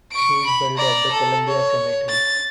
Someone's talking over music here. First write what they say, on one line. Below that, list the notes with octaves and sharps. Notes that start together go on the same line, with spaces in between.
She is buried at the Columbia Cemetery.
C#6 D7
B5
D5 A#5
A4
C#5
A6